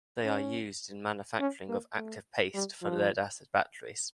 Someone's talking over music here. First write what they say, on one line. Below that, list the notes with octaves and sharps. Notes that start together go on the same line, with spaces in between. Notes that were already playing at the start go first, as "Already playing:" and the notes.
They are used in manufacturing of active paste for lead acid batteries.
C#4
C#4
A#3
A3
G3
F3